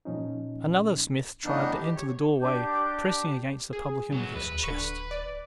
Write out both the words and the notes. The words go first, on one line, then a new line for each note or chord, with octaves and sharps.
Another smith tried to enter the doorway, pressing against the publican with his chest.
A#2 F3 C#4 D#4
A2 E3 B3 D4 D#4
G4
C#5
D4 G4 D6 G6
G#4
F#3 B3
D#2 B4
D1 D3 C#6
D5